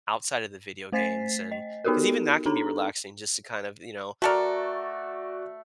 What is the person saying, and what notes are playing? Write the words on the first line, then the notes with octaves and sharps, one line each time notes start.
outside of the video games and 'cause even that can be relaxing just to kind of, you know,
A3 C5 G#5 A6 B6 C7
D#5
B3 D#4 F#4 G4 A4 A#4
D4 D#4 A4 A#5
A3 F#4 A4 A#4 D5